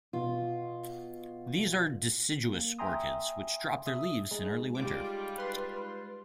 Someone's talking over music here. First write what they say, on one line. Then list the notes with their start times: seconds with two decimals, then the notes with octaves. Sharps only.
These are deciduous orchids, which drop their leaves in early winter.
0.13 B2 F4
2.48 A#3
2.79 E5 G5 G#5 A#5 C6 D#6
3.86 E5 D#6
4.31 G#3 D#4
4.75 G3 F4 D6
5.38 B4 C6